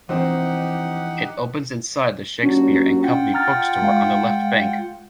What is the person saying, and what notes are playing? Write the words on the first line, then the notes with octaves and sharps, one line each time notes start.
It opens inside the Shakespeare and Company bookstore on the Left Bank.
E3 F3 C4 D4 D#4 G4 F#5
D#2 F#3 C#4 D4 F#4
F4 F#5 G5
A#5 F6 A6
G#3 F5